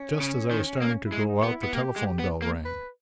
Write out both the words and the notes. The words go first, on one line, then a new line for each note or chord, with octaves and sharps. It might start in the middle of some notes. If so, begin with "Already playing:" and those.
Just as I was starting to go out the telephone bell rang.
Already playing: C#4
C#3
D#3
A#3 C#4
E4
G#3
D#4
B3 G4
E4
B3
A#3 G4
G#3
B3
A#3
B4